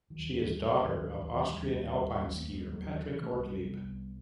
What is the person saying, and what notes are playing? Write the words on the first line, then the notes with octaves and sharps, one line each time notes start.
She is daughter of Austrian alpine skier Patrick Ortlieb.
D#3 F#3
D#2
E3 G3
D#2 G3 B3
F#3 A3
D#2
D#3 F#3
D#2
E3
D#2
D#3 F#3
D#2 E3 G3
G3 B3
D#2 A3 C4
G3 B3
D#2 G3 B3
D#2
A3 C4
D#2 G3 B3
G3
F#3 A3
D#2
D#3 F#3
C3 E3
A3 C4
C2
G3 B3
C3
C2